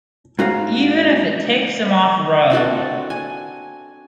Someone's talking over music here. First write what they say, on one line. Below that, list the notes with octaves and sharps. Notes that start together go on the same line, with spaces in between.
Even if it takes him off road.
G#2 F#4 A#4 F5
C4 D4 F#4 A4
G#5